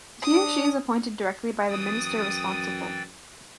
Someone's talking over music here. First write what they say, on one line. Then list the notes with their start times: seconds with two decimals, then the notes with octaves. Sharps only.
He or she is appointed directly by the Minister responsible.
0.22 D4 D#6
1.69 F#2 E3 G5 D#6 A6